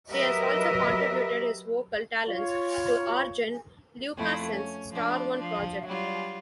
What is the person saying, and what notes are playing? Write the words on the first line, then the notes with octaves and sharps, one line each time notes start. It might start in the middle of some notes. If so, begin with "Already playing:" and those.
He has also contributed his vocal talents to Arjen Lucassen's Star One project.
F#3 G4 A#4 B4 D#5 E5
F4 C#5
F2 A3 E4
C#4
F3 D4
F3
F#3 G3 F4